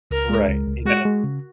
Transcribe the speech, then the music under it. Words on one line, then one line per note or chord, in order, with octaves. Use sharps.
Right. Yeah.
C#2 A#4
G#3
C#2
C#2
G#3 F#4
G#3
C#3